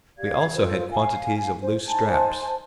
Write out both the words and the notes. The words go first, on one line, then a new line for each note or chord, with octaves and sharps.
We also had quantities of loose straps.
G4 D5 F5 G#6
F4 A4 C5 C#5
F5 G#5
C5
D#4 C5 G#5 A5